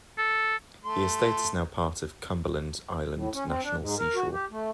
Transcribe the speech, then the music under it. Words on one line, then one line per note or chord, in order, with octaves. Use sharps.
The estate is now part of Cumberland Island National Seashore.
A4
A3 C6
A2
C#4
C4
D4
G#2
A#4
F#4
G4
A3